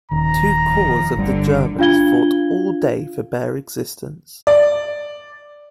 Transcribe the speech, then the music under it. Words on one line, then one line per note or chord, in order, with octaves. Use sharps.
Two corps of the Germans fought all day for bare existence.
D#1 D#3 A#5
F2 F3
G1 D3 G3
D4 F4 F5 G#6 G7
D5